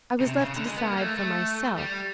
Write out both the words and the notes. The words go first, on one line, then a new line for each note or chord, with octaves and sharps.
I was left to decide for myself.
C#3
C3
C#3
D3
G#3
B3
A#3
A#3
A3
A3
G3